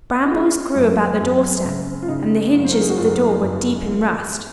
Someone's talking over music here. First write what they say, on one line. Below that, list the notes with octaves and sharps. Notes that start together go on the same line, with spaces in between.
Brambles grew about the doorstep, and the hinges of the door were deep in rust.
D#4
G#3 F4
F#2
F#2
C#3
F4
C#3 D#4
F#1
C5
A#4
G#4
F#4
F#1 F4
F#2
A#3